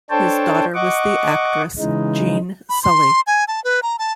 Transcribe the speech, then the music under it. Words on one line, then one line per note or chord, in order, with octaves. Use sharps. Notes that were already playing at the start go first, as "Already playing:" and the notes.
His daughter was the actress Jeanne Sully.
D4 A4 C5 C#5 G5 A5
D#5 F#5 C#6 D6
C#3 E3 G#3 D#4
B5
C6
G#5
A5
B4
A#5
A5